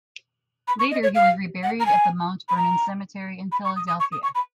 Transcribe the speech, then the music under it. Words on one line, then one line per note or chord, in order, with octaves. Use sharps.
Later, he was reburied at the Mount Vernon Cemetery in Philadelphia.
B5
C#6
D#5
C#5
F5
F#5
A#5
G#5
B5
A#5
B5
C#6
D#6
D#6
C#6
D#6
C#6
B5